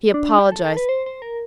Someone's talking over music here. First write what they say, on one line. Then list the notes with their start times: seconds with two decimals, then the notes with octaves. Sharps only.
He apologized.
0.14 D4
0.39 G4
0.52 A4
0.65 A4
0.77 B4
0.89 C5
1.06 C5
1.22 A#4